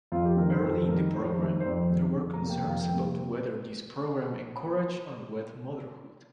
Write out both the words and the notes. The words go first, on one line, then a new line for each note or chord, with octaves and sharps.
Early in the program, there were concerns about whether this program encouraged unwed motherhood.
F2 F4
G4
D#3 G3 A#4
C5
F2 A4
D#3 G3 A#4
F2 C5
D#3 G3
C5
F2 D5
D#3 G3
F2
A#5
C3 G3 A#3
G5
F2 F5
G5
C3 G3 A#3